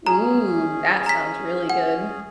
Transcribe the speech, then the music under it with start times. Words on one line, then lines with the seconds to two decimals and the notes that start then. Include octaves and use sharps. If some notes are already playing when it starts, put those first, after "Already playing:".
Ooh. That sounds really good.
0.06 C#4 G#4 A#5
1.06 A#5 B6
1.70 F#5